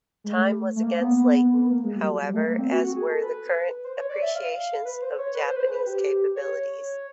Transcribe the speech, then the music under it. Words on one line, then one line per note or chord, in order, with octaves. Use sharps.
Time was against Layton, however, as were the current appreciations of Japanese capabilities.
G#3
A3
A3
A#3
A#3
B3
B3
B3
B3
B3
A#3
G#3
G3
F#3
G3
A3
A#3
C4
F#4
F#4
G#4
A4
B4
C5
C#5
D5
E5
F5
B4
C5
C#5
B4
C5
B4
C5
B4
G4
C#5